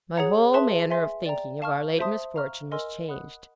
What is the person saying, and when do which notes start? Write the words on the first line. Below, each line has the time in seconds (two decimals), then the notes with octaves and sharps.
My whole manner of thinking of our late misfortune was changed.
0.17 G#4 C#5 F#5 A#5
0.53 G#4 B4 E5 A5 C6
0.90 E5 G#5 C6
1.26 D5 G5 A#5
1.62 F5 A5 C#6 F6
1.99 C5 E5 A5 C6 D#6
2.36 F5 A#5 C#6 F6
2.72 A#4 D#5 G#5 C6 E6
3.08 F#5 B5 D#6 F#6